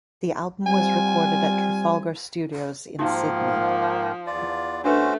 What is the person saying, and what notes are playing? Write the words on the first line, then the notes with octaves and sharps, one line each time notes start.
The album was recorded at Trafalgar Studios in Sydney.
G3 C4 F4 G#5
G#2 D#3 F3 A#3 D#4 F#4
E2 F4 D5
A3 C#4 D4 F#4 B4 C5